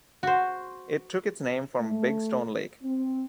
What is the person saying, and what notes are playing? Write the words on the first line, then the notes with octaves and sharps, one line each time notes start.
It took its name from Big Stone Lake.
F#4 C5
A3
C4